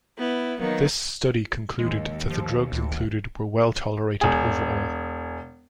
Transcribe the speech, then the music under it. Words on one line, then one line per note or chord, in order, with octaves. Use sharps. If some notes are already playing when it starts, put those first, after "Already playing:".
This study concluded that the drugs included were well tolerated overall.
B3 E4
D#3 F#3 A#3 B3 D#4
D#2 G#3
F3
D2
E1 G#4